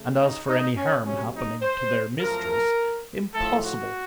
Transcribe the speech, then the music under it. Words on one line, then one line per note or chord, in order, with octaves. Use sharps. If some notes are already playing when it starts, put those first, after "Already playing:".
And as for any harm happening to their mistress--impossible!
Already playing: C#3 A3
D#4
D#4
C#4
C3 F#3 A3 C#4
D#4
C5
F#2 F3 A3 A#4
A2 F3 A3 A4
F#4